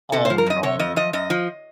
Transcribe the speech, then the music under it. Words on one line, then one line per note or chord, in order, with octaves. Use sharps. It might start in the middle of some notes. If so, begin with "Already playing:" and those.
Oh, no.
C3 A4
C5
F3
A#4
F2 D#5
C3 C#5
F2 D#5
F3 D#5
F#2 D#5
F3